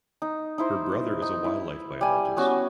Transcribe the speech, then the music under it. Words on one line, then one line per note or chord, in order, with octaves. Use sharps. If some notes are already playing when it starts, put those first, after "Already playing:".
Her brother is a wildlife biologist.
D#4
D#4 E4 C5
D#4
E4
G3 G#5
B3 C#4 F#4